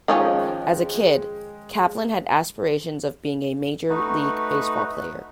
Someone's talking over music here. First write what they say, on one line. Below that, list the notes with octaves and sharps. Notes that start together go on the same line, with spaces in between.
As a kid, Kaplan had aspirations of being a Major League Baseball player.
D#3 F3 G#3 C#4 G5
A3 D#4 F#4 B4